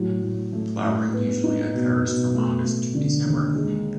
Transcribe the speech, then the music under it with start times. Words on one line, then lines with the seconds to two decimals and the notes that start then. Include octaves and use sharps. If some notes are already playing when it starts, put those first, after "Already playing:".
Flowering usually occurs from August to December.
Already playing: A2 F#3
0.23 A2
0.52 A3
0.83 A2
1.14 B3
1.44 D#4
1.73 B2
2.04 B2
2.34 A3
2.64 A3
2.94 D3
3.25 D#2
3.55 G#3